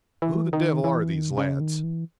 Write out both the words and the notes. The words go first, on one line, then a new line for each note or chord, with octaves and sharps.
Who the devil are these lads?
E3
D#3
E3
D#3
C3
C#3
D#3
E3